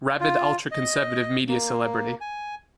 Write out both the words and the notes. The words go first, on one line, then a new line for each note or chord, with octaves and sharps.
Rabid- Ultra-conservative media celebrity.
F4
D#5
A#3
G#5